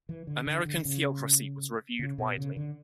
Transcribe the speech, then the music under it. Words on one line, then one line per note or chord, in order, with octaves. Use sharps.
"American Theocracy" was reviewed widely.
E3
D3
D3
D3
C#3
C#3
B2
C#3
D3